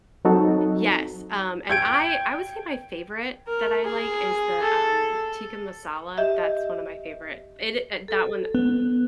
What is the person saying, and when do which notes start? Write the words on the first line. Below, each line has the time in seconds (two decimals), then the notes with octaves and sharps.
Yes, um, and I I would say my favorite that I like is the, um, tikka masala. That's one of my favorite. It i uh, that one
0.25 F#3 C4 D#4 F#4 A4
1.69 G5 G6 G#6 D7
3.47 A#4
3.85 G#4
4.62 A4
6.18 G4 D#5 E5
8.08 A4
8.55 B3